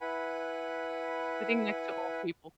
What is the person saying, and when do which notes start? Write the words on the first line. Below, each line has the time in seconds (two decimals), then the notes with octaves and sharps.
Sitting next to old people.
0.01 E4 B4 F#5 G#5 B5